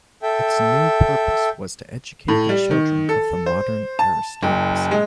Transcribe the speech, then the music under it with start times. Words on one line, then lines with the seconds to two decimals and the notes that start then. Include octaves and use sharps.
Its new purpose was to educate the children of the modern aristocracy.
0.23 A4 E5 G5
2.28 A2
2.49 G3
2.71 D#3
3.09 A4
3.46 C5
3.99 A5
4.43 F#1
4.91 G#3